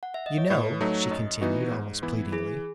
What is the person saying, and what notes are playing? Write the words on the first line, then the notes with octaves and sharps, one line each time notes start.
"You know," she continued, almost pleadingly.
F#5
E5
D#5
C#5
A2 B4
F#3 A3 D#4 F#4 C#5
F#2 D#5
E3 B3 D#4 F#4 B4
G#2
E3 B3 E4
E3 G#4